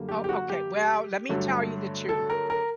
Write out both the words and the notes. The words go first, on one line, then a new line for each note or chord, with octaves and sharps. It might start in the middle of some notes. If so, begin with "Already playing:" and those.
Oh, okay. Well, let me tell you the truth.
Already playing: F#2 D3 G3 A#3
G4
G4
F#4
G4
G2 D3 F#3 A3
A4
A#4
A#4